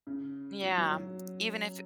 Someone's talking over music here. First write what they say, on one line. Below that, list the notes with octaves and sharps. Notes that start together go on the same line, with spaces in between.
Yeah, even if
C#3
F#3
F#3
F#3